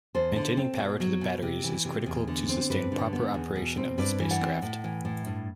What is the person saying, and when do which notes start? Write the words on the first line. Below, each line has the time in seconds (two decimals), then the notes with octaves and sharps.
Maintaining power to the batteries is critical to sustain proper operation of the spacecraft.
0.15 E2 A4 C5
0.36 D3
0.57 C4
0.78 B2
1.00 F#3
1.21 B2
1.42 C3
1.64 E3
1.85 C3
2.06 E2
2.28 D3
2.49 C4
2.70 G2 B4 D5
2.92 D3
3.13 B3
3.34 E2
3.56 B2
3.77 C4
3.98 G2 B4 D5
4.20 E3
4.30 D5 F#5
4.41 C4
4.62 A2
4.84 E3
5.05 A2
5.26 G2